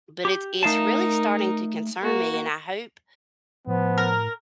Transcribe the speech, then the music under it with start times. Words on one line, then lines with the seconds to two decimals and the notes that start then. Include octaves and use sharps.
but it's it's really starting to concern me, and I hope
0.25 G4
0.63 A3 D#4 A#4 F5 A5
2.01 A#3 F#4
3.67 A2 F3 B3
3.98 A#4